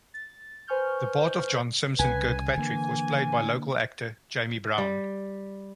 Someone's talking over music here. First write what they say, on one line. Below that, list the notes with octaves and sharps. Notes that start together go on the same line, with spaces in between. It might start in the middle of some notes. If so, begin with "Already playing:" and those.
The part of John Simpson Kirkpatrick was played by local actor Jamie Brown.
A6
B4 C5 G#5 C#6 F6 G6
C2 C#3 B4 G#5
D3 E3 A#3
G3